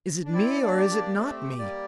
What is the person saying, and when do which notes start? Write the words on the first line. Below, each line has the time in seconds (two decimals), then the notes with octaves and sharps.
'Is it me, or is it not me?
0.25 D4
0.33 C4 E4 D5
0.61 A#3 D4
0.76 G4
0.89 A#3 D4
1.17 A3 C4 G4
1.59 G3 A#3 D5